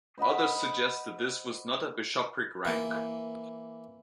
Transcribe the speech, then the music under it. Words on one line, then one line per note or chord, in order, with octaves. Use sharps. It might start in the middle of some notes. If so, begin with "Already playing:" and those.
Others suggest that this was not an bishopric rank.
C5 D#5 F#5 B5
E3 A#3